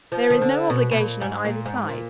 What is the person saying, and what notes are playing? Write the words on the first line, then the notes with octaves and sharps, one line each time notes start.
There is no obligation on either side.
F3
D#3
D3
B2
B2
A#2
G#2
A#2
G#2
A#2